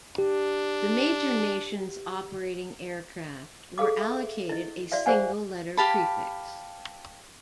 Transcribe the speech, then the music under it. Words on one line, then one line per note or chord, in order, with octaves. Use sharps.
The major nations operating aircraft were allocated a single letter prefix.
D4 G4
G#4 A4 F5 D6
E5
E4 D#5
F#4 D5 E5 F5
G#4 C5 D5 F5 F#5 G#5
G4 F5 A5 B5